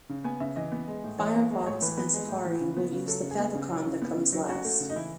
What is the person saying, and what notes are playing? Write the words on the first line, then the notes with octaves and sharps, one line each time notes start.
Firefox and Safari will use the favicon that comes last.
C#3
B3 G#5
C#3 E5
E3 D#5
B3
G#3
A2
E3 C#5
B3
G#3
D#5
A2 C#5
E3 B4
B3 B4
G#3
A2
E3
C#3
B3
C#3
F#3 A4
C#3
G#4
B3
C#3
F#3
C#3
B3
C#3
F#3
C#4 F#4
A3
C#3
D#4
E3 E4